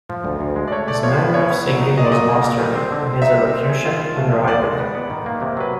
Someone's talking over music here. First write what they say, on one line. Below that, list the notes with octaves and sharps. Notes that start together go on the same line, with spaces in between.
His manner of singing was masterly and his elocution unrivalled.
F3
D2
D2
G#3
D5
A3 C#5
A3 D5
F3 C#5
F3 B4
B3 C#5
B3
F#3
D#4
F#3 D#5
D5
A#2 D#5
A#3
A#2
G3
C4
D3
C4
D#4 E5
G3
C4
G#4
F4
F4
A3
F3
D#2 D5
G#3
B3
B3
D#3
A#3
C3
F#3 B4